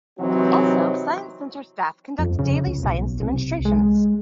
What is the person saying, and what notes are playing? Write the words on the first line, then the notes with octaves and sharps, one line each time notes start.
Also, Science Center staff conduct daily science demonstrations.
C3 E3 F#3 C4 D#4 F#4
F2
C#3
C#2
B1
C2
G#3